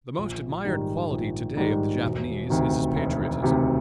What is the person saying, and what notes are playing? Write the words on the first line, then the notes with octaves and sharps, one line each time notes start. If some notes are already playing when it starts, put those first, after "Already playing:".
The most admired quality to-day of the Japanese is his patriotism.
A#1
G#2 D#3 G3
A#1
G#2 D#3 G3
E1
D2 C3 D#3
E1
D2 C3 D#3